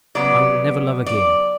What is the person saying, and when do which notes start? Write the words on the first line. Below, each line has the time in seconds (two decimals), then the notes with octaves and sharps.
I will never love again.
0.15 C#3 F#3 B3 D5
1.06 D5